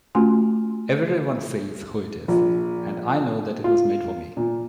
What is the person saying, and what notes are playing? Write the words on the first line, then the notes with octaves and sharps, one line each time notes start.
Everyone sees who it is, and I know that it was made for me.
A3 C#4 F4 F#4 G#5 C6
A#1
F4
A#2